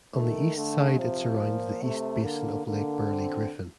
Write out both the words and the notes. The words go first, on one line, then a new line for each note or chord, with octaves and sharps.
On the east side it surrounds the East Basin of Lake Burley Griffin.
D#3 A3
D3 A3
C3 F3
A#2
C3 A3
D3 A#3
D3 A#3
C4